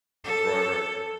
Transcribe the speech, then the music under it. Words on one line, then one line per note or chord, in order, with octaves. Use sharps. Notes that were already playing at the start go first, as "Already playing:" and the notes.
Right, right.
A4